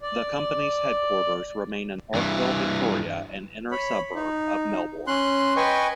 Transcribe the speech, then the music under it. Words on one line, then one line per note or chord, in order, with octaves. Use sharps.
The company's headquarters remain in Parkville, Victoria, an inner suburb of Melbourne.
D5
G2 E3
C#5 B5
D#4
C#4 C6 F#6
B4 D#5 G5 G#5 C#6